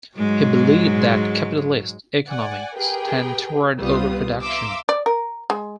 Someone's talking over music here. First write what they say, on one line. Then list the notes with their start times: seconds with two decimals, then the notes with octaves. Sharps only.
He believed that capitalist economies tend toward overproduction.
0.16 G#2 F#3 G#3
2.28 D5 F#5 G#5
2.76 G4 G#4 A#4 B4 G5
3.78 C2 G3 B3 C4 F4 D#6
4.42 E5 F5 A#5 C6 D6 E6
4.89 D5
5.06 A#4
5.50 G#3